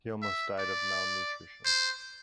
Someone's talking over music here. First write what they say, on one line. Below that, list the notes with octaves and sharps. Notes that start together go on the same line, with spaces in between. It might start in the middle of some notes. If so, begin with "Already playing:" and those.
He almost died of malnutrition.
E5
D5
C5